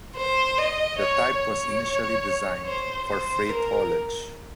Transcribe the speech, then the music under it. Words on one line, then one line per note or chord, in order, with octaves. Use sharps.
The type was initially designed for freight haulage.
C5
D#5
C#5
C#5
C5
C5
A#4